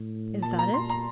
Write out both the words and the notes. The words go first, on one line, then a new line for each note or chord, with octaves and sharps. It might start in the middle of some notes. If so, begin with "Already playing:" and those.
Is that it?
Already playing: A2
A#2 A5
A#5
A#2 C6
A#5